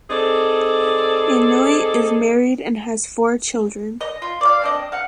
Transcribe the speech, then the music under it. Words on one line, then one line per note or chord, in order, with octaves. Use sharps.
Inouye is married and has four children.
C4 D#4 G#4 A4 D5
D#5
F4
D5 F5
C4 D4 D#5
F5 F#5